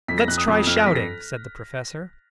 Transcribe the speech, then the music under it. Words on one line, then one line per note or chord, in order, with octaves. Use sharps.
"Lets try shouting," said the Professor.
F2 B6
A#6
F2 F#6
D#6
F2 D6
D#6
F2 F6
A#6
F2 B6
A#6